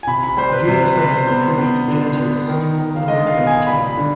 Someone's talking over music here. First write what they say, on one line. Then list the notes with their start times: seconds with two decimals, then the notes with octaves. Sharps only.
The genus name is a tribute to Gentius, an Illyrian king.
0.03 G#5
0.07 C3 B5
0.23 B5
0.37 G3 C5
0.52 B4
0.67 C3 C5
0.82 B4
0.97 G3 B4
1.12 C5
1.27 B3 C5
1.57 B3
1.88 D3
2.17 B3
2.48 D#3
2.78 D#3
2.96 F5
3.08 G#3 D#5
3.27 F5
3.37 B3
3.47 G#5
3.67 G3 B5
3.87 B5
3.97 D3